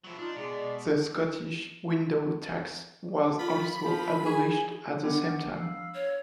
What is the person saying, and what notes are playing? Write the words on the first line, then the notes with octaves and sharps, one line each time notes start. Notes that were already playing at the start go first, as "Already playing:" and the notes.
The Scottish window tax was also abolished at the same time.
F3 F#3 E4
D4 D#4 F4
B2 G#3 D5
F4 B5
F3 F4
G#4 G#5
B3 D4 A#4 F#5 D6
F5 B5 E6
C#5